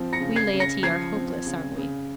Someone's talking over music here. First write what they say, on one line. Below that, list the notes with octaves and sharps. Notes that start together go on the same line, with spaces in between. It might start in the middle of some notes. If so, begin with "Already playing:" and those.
'We laity are hopeless, aren't we?
Already playing: F3 C4
A#6 C#7
C#3
G#6 C7
C#3
A#6 C#7
F3 G#6 C7
C4
C#3
C#3